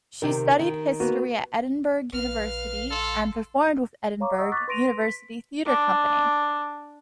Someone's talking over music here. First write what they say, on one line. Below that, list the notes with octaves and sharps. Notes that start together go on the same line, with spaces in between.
She studied history at Edinburgh University, and performed with the Edinburgh University Theatre Company.
C3 D#3 G4 A#4
D#3
A#3 B3 F#4 B4
A#1 B4 F5 F6
A4 C6
C#5 F5 A#5 C#6 D6
D#5 F#5 A#5 C#6 D#6 E6
C#6 D6 F#6 A6 B6
B4 C6 A#6 D7 D#7 F7
B6
D4